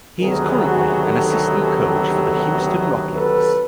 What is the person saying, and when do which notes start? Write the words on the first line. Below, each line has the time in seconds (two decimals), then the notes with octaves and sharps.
He is currently an assistant coach for the Houston Rockets.
0.19 D2 C3 D#3 F#3 B3 G#4 A#4
0.61 F#4 G#4
1.03 G4 A4
3.15 A4 B4